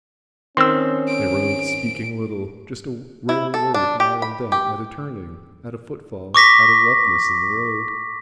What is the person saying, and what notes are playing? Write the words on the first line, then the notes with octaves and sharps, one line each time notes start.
They rode, speaking little, just a rare word now and then, at a turning, at a footfall, at a roughness in the road.
D#3 C4 C#4 C6 E6
D7
E4
A4
D4
G4
B5
G4
C#6 D6 A#6 B6